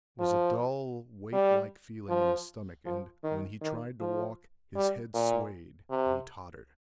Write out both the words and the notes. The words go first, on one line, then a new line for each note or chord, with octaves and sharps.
There was a dull, weight-like feeling in his stomach, and, when he tried to walk, his head swayed and he tottered.
F3
G3
F3
F3
D#3
D#3
F3
G3
A#2
C3